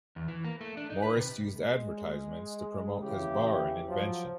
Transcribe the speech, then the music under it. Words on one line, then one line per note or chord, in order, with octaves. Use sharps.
Morris used advertisements to promote his bar and invention.
E2
E3
A#3
A3
D4
D#4
B4
C3
G#3
C#3 E3 G4
F3 F#3